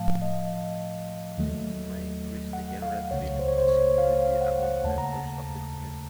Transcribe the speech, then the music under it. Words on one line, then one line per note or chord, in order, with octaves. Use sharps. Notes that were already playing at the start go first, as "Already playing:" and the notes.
It might increase the general feeling of security among members of the community.
Already playing: A2 F3 A3 F5 A5
D#5
D#2 D#3 F#3 A3
F#5
F5
C#2 C#3 A3 C#5
C5
C#5
C5
C#5
F5
F5
F#5
F#5
D#2 C#3 A3 A5
A#5
A5